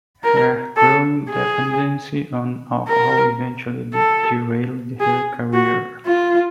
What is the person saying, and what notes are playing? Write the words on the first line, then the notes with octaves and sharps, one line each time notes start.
Her growing dependency on alcohol eventually derailed her career.
A#4
A4
G#4
A#4
A4
G#4
F#4
F4